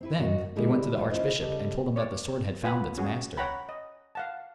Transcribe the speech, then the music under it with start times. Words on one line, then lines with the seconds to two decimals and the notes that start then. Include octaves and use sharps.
Then they went to the archbishop and told him that the sword had found its master.
0.01 C4 E4 B4
0.18 F#2 F#4 D#5
0.56 D3 G3 G#3 E4 G4 D5
0.96 G#3 F4 C5 D5 E5 F#5
1.10 C#4 E4 F4 C5 D#5
1.40 C#3 G3 A4 D#5
1.96 C#5 D5
2.64 F4 B4 F#5 G#5 B5
2.97 C#4 F#4 G#4
3.37 C#5 F#5 G5 A#5 B5
3.69 D#5
4.15 F5 F#5 A5